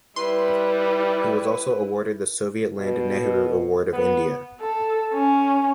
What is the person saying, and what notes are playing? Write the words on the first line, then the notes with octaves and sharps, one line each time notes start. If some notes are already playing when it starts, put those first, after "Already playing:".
He was also awarded the "Soviet Land Nehru Award" of India.
G3 E4 B4 C6
B2
B3
A4
C#4